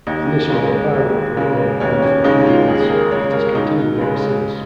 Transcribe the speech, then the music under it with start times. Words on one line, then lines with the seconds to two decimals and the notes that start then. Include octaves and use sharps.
Initially a pilot program planned for a few months, it has continued ever since.
0.07 D#2 D#4
0.50 C#3 G#3
0.94 D#2
1.37 C#3 G#3
1.80 D#2 C#4
2.02 C#4
2.24 C#3 G#3 D#4
2.46 F4
2.68 D#2 G#4
2.79 G#4
2.90 A#4
3.11 C#3 G#3 C#5
3.33 A#4
3.55 C#2 D#4
3.98 C#3 G#3